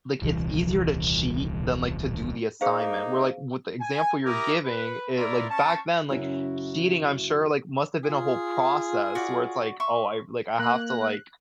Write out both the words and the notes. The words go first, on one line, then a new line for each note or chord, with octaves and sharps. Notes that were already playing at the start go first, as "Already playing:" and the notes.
like, it's easier to cheat than, like, to do the assignment, where, like, with the example you're giving, it like, back then, like, cheating, I'm sure, like, must've been a whole process where it's like, "Oh, I like, I have to, like,
D#1 C2 E3
A#3 D#4 G#4 C5 F5
G#5
E4 G4 A#4 A#5 D6 D#6
B4
A3 E4 F4 A#4 D5
C#4 A5 C#6
F#2 C#3 C#4 E4 F#4
F4 G#4
F#4 C#5 D5
E5 C6 C#6
A#3 F#6